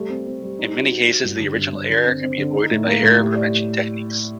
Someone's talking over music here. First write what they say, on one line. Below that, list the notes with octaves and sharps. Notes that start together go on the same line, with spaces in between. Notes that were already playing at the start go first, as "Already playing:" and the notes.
In many cases the original error can be avoided by error prevention techniques.
Already playing: G3 A3
C4
C4
G3
D#4
F#4
F#4
F#4
G2
D3
G2
G2
D3
C4
C4
D3
D#4
A2
A#3
A2
G4
D5